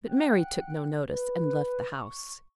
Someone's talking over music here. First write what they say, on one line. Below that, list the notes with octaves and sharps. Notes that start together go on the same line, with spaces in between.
But Mary took no notice, and left the house.
F#5 G5 F#6
B4
C#6